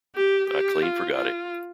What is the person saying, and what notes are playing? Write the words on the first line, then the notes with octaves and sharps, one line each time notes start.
I clean forgot it.
G4
G4
F4
F4